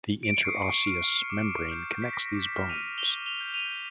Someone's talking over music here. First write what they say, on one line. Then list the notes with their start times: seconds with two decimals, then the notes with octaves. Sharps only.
The interosseous membrane connects these bones.
0.23 D7
0.34 C#7
0.45 C#6 C7
0.66 C#6
0.87 F6
1.08 F6
1.30 D6
1.51 D6
1.71 G6
1.93 G6
2.02 B6
2.13 D6 A#6
2.34 D6
2.42 B6
2.56 F6
2.69 D#7 F7
2.77 F6
2.98 D6 F7 G7
3.19 D6
3.26 F7 G7
3.40 G6
3.54 D#7 F7
3.61 G6